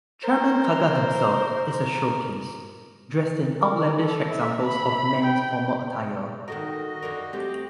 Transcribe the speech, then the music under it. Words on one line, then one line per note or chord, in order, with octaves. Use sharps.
Chairman Kaga himself is a showpiece, dressed in outlandish examples of men's formal attire.
A#4 C5
A#4
A4
E5
B5
G5
D#3 F#4 A4 A#4 D#5
F2 D3 A#4
A3 C4 G4